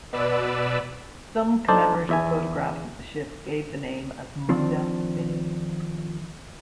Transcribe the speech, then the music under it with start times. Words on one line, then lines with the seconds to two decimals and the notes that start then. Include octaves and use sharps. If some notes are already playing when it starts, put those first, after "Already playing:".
Some commemorative photographs of the ship gave the name as Munda Bay.
0.13 B2 B4 D5 E6
1.68 D4 D#4 A4 C5 D5
2.09 E2 E5 G#5
4.49 D#3 F3 C4 D4